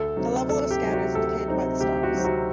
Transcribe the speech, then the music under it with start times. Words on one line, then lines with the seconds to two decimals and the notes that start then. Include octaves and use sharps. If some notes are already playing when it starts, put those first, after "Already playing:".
The level of a Scouter is indicated by the stars.
Already playing: D2 A4
0.17 C3 F#3 C4 D#4
0.49 D2 A4
0.71 G4
0.83 C3 F#3 C4 D#4
0.93 F#4
1.14 D2 A4
1.48 C3 F#3 C4 D#4
1.81 D2 G4
2.03 F#4
2.14 C3 F#3 C4 D#4
2.25 F#4